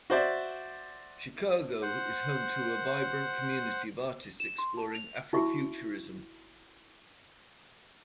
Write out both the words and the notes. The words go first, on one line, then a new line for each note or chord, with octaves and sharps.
Chicago is home to a vibrant community of artists exploring Afrofuturism.
F#4 C5 D5 E5
C5 F#5
E7
C6
A5
F7
D#4 E4 F#4 E5 C#6